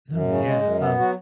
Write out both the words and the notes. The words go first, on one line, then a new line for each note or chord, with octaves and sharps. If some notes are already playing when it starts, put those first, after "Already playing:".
No. Yeah, um,
F#2
C#3
G#3
F#2
B3
F#3 F#4